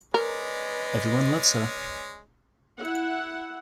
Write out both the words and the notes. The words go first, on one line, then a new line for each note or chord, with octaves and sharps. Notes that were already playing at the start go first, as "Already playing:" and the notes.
Everyone loves her.
G#3 C#4 A#4 B4 D5 D#5
E4 F#5